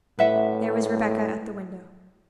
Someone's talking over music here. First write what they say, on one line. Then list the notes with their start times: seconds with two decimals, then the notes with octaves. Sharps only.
There was Rebecca at the window.
0.19 A2 B4 E5 F#5